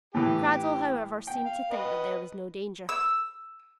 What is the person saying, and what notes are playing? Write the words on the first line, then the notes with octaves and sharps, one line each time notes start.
Cradell, however, seemed to think that there was no danger.
A2 E3 G4
G5
F5
B4 D#5
E6